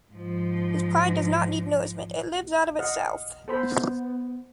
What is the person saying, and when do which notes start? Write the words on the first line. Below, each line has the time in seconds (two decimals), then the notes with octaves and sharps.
His pride does not need nourishment; it lives out of itself.
0.11 G#2 F3
2.79 D#5 F5 F#5
3.48 B3 A4 C5 B5